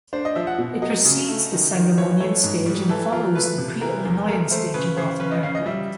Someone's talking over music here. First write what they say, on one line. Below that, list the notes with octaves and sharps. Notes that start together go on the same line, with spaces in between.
It precedes the Sangamonian stage and follows the Pre-Illinoian Stage in North America.
D4 C5
D#5
F3 E5
F#5
B2
F#3 D#5
C#3
A3
D#3
D#3
E3 C#5
A3 C#5
G#2
G3
E3 A4
F4 A#4
A3 B4
C3
E3 A#4
E2
A3 A#4
A3 C5
C#3 B4
C#3 C5
C#4 B4
D#5
C#4 F5
D#5
G3 E5